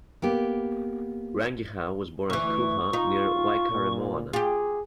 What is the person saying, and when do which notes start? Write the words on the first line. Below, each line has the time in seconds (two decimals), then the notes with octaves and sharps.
Rangihau was born at Kuha near Waikaremoana.
0.22 A#3 B3 G4
2.30 D2 E3 C#6
2.93 D#4 F4
3.71 A#2
4.33 F4 G4 G#4